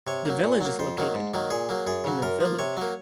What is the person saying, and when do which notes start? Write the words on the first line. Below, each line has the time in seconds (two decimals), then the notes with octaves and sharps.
The village is located in the village.
0.07 C3 C#5
0.25 F#3 A#3
0.44 A#2
0.61 F#3 A#3
0.79 F2 C5
0.98 D#3 F#3 A#3
1.15 G#2
1.34 D#3 F#3 A#3
1.50 A#2 G#4
1.69 F#3 A#3
1.87 F#2 G#4
2.04 C#3 F#3
2.22 F#2 A#4
2.40 F3 A#3
2.59 C3 C#5
2.77 F#3 A#3